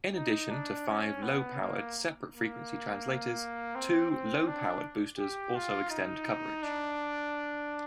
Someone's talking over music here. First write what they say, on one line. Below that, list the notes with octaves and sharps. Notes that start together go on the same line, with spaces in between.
In addition to five low-powered, separate-frequency translators, two low-powered boosters also extend coverage.
D#4
D4
C#4
B3
A#3
A#3
C4
C4
D4
G4
F4
D#4
D4